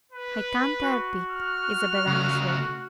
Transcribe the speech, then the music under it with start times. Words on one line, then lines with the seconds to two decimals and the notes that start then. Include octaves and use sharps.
"I can't help it," Isabel answered.
0.12 B4
0.82 F#4
1.31 F6
2.07 C#3 A3